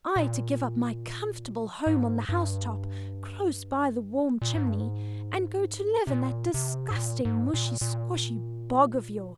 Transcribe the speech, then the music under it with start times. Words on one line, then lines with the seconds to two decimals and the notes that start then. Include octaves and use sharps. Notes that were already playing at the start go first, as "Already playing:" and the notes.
I to give up my comfortable home on the house-top, close by the warm chimney, and go to live in that disgusting mushy-squshy bog of yours!
0.16 A#2
1.86 G#2
2.29 G2
4.42 A#2
4.55 G#2
4.67 G2
4.80 G#2
6.07 C3
6.11 A#2
6.54 C3
6.91 G#2
6.96 A#2
7.25 G#2
7.54 A#2
7.81 A#2